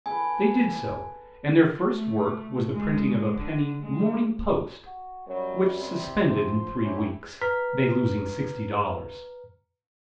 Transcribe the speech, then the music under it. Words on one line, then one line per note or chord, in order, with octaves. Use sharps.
They did so, and their first work was the printing of a penny "Morning Post," which suspended in three weeks, they losing sixty dollars.
A4 B4 G#5
A3
G#3
D3
G#3
F#4
F#2 F#3 G3
C3
F3 C5
A3 C#4 E4 G4
B4 A#5 F6 B6